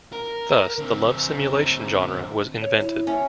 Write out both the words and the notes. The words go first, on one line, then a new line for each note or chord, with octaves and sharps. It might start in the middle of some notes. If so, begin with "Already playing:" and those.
Thus, the love simulation genre was invented.
A#4
D3 C4
C#5
E4
C#4 E5